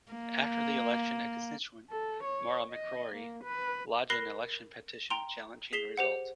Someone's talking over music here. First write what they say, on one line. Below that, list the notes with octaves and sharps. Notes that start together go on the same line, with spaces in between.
After the election a constituent, Maura McCrory, lodged an election petition challenging the result.
A#3
A4
C#5
D#5
A#3
B4
A#4 B5 F#6 A#6 C7
G5 A#5 C6
G#4 B6 C7 E7 G7
G4 C5 F#5